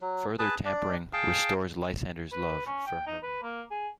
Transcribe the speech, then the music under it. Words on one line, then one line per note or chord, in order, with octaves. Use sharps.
Further tampering restores Lysander's love for Hermia.
F#3
G#4 B4 A5
D4 D5
G#4 F5 G5 A5
B4
C#4
G5
D#4
B4
A#3
G#4